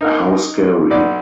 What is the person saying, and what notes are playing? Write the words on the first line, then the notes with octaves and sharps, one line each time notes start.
How scary!
D#4 A#4
B1 D5